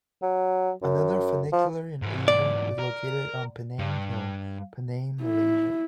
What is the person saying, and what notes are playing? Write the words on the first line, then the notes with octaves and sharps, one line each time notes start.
Another funicular in Asia is located on Penang Hill, Penang, Malaysia.
F#3
F#2
F3
G#2 E3
D5
A#4
G2
E4